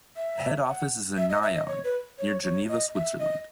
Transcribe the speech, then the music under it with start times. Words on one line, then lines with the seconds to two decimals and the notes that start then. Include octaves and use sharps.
The head office is in Nyon, near Geneva, Switzerland.
0.16 E5
0.67 F#5
1.17 E5
1.30 D#5
1.42 E5
1.55 D#5
1.67 C#5
1.84 B4
2.18 C#5
2.43 C#5
2.68 D#5
2.94 E5
3.19 D#5